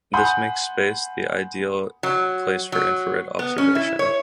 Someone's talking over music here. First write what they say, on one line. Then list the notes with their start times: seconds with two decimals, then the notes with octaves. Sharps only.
This makes space the ideal place for infrared observation.
0.13 F#5 G#5 B5 C6 D#6 G6
2.03 F#3
2.72 F#3
3.39 B3
3.58 C#4
3.75 E4
3.99 C#5